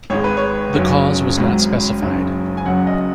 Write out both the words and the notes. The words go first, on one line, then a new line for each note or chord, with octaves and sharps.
The cause was not specified.
G#1 G#2 G#3 C#5
B4
C#5
F#1 F#2 F#3
G#1 G#2 F#3
F#1 F#2 F#3
G#5
F#1 F#2 F#3 F#5
D#5